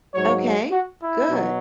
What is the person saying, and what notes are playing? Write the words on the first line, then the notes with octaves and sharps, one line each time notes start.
Okay. Good.
G#2 F#3 C#5
F#4
E4
B2 F#3